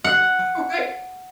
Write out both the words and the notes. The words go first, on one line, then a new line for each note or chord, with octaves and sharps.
All right.
F#5